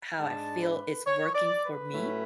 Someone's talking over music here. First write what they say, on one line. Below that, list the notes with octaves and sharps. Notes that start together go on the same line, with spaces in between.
how I feel it's working for me
G#2 G#3 D4 A5
B4
C#5
D5
B4
A2 F#3 A3 C#4